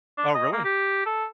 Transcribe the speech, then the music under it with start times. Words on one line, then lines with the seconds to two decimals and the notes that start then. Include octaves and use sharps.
Oh, really?
0.18 D4
0.34 D#5
0.53 A#3
0.65 G4
1.06 A4